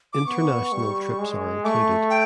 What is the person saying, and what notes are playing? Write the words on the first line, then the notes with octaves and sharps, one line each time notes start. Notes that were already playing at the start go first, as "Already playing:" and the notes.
International trips are included.
D6
B3 C#6
G3
G#3
A3 C#6 D6
G5